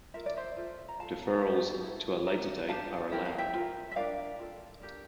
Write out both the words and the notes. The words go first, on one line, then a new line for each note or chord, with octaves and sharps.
Deferrals to a later date are allowed.
F4 A#4 E5
D5
C5 E5
F4 A4
A#5
F4 A4 F5 A5
E4 G4 A#4
E4 A4
D4 F4 A#4
D4 G4 A#4 F5 A5
E4 G4 A#4 G5
F5
E5 G5
F4 A#4
E5
D4 F4 A#4 D5 F5
F4 A4
D4 G4 A#4